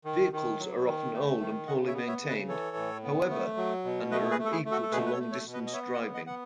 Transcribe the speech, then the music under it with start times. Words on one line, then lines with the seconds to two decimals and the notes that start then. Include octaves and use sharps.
Vehicles are often old and poorly maintained, however, and are unequal to long-distance driving.
0.05 D#3
0.33 D#3
0.59 F#3
0.86 D#3
1.13 A3
1.41 D#3
1.67 C#3 D#5 F#5
1.87 C#5 E5
1.94 B3
2.08 C#5 E5
2.21 C#3
2.28 B4 D#5
2.48 E3 A4 C#5
2.76 A2
3.03 B3
3.30 A3
3.57 F#3
3.84 B2
4.11 A3 B4 D#5
4.31 G#4 B4
4.39 A3
4.45 A4
4.51 E4 G#4
4.65 A3
4.71 F#4 A4
4.83 A4
4.92 B2 G#4 B4
5.06 B4
5.12 A4 C#5
5.19 A3
5.32 A4 C#5
5.46 B2
5.53 B4 D#5
5.66 D#5
5.73 B3 C#5 E5
5.93 D#5 F#5
6.00 B3
6.14 D#5 F#5
6.27 B3 F#5